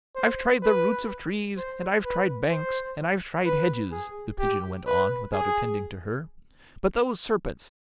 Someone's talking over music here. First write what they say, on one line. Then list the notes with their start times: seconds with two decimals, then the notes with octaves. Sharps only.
'I've tried the roots of trees, and I've tried banks, and I've tried hedges,' the Pigeon went on, without attending to her; 'but those serpents!
0.16 C5
0.63 B4
1.58 C5
2.04 B4
2.51 C5
3.45 B4
3.92 G#4
4.39 G4
4.86 B4
5.33 G#4